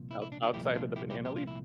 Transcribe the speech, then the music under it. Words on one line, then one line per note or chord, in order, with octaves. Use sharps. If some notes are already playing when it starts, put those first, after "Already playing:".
Out outside of the banana leaf?
Already playing: C2 A#2 F3
E4
E4
D4
D4 F4
C2 A#2 F3 A3 E4 G4
D4 F4
E4 G4
E4 G4
G4
F4
E4